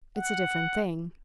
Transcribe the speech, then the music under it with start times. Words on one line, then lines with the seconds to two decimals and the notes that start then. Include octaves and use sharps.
It's a different thing.
0.16 F#5